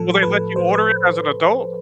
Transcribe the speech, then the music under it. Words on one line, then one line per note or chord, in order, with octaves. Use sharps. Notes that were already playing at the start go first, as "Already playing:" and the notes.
Will they let you order it as an adult?
Already playing: A2 F3 A4
A2 F3 B4
A2 F3 C5
B4